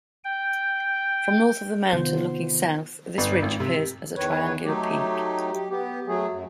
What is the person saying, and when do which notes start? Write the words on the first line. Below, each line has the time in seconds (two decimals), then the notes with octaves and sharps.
From north of the mountain, looking south, this ridge appears as a triangular peak.
0.24 G5
1.92 C3 D#3 B3 F4 C5
3.18 G1
3.42 G#1
3.60 C3
4.16 E2 D#3 B4 C#5
4.64 F#3 A3 D#4 G4
5.52 G4
5.70 B3 G4
6.07 F#3 A3 G#4
6.32 F#2